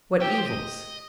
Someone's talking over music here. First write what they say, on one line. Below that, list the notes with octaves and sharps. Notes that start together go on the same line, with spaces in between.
What evils?
G4 E5
D#5
C5
D#5